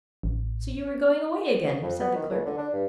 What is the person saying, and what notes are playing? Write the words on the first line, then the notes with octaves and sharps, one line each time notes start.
"So you are going away again!" said the clerk.
A1
F2
B3
D#3
C#2
D3
D4
G2